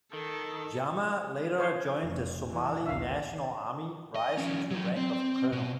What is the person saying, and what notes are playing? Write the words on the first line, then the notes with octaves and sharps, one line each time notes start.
Jama later joined the Somali National Army, rising to the rank of Colonel.
D#3 A4
C5 C#5 F5
F1
E3
A#1 D#2 E5 F5
D#5
F3 C#4
F#3 G4
C4
B2